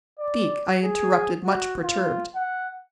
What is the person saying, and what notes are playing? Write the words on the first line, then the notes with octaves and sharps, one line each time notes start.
"Speak," I interrupted, much perturbed.
D5
G#4
F#4
F4
F#5